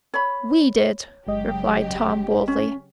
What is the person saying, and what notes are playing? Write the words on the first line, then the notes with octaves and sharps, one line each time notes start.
"We did," replied Tom boldly.
C#5 B5
G1 C#3 F#3 G#3 G4 D#5
C#4